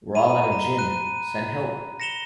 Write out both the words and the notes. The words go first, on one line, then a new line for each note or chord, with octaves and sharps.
We’re all out of gin: send help!
A#5 B5 D#7
A#5
F#6 D#7
A#6 C#7 E7 F7 G7